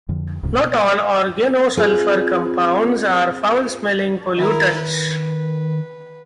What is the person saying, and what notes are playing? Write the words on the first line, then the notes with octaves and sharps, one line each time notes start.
Not all organosulfur compounds are foul-smelling pollutants.
F2 D3 F3
D#1 D2 G#2 C#3
B2
C4 F4 G#4 B4
D#3 E4 A#4
B4